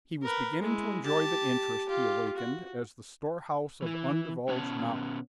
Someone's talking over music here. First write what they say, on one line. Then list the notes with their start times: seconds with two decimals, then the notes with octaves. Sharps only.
He was beginning to enjoy the interest he awakened as the storehouse of undivulged knowledge.
0.23 A#4 B4
0.61 G#3 E4
1.05 G4 A5
1.88 F4 G4
2.36 F#4
3.82 E3 E4
4.48 B2 B3 C#4 C#5 A5